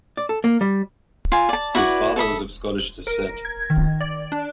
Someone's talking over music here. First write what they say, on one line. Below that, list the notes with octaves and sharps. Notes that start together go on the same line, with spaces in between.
His father was of Scottish descent.
D5
A4
A#3
G3
F4 G#5
D5 A5
E4 F#4 B4 D5
A4 E5 B5 D#6
A#4
G#6
D#3
D5
D4